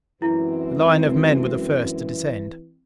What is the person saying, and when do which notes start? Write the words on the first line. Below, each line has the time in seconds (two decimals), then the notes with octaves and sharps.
The line of men were first to descend.
0.22 F#2 E3 G#3 C4 E4